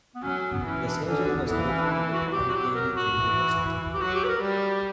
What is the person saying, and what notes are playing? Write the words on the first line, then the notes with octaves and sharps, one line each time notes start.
The surgery was performed at Allegheny General Hospital.
B3
F#3 C#4
C#4
B3
E3 C#4
D4
D3 C#4
B3
E3 B3
A#3
C#4
D4
E4
F#4
F#3 G4
F#4
G4
A#4
F#4
E3
G4
F#3 F#4
G4
B4
A#4
G3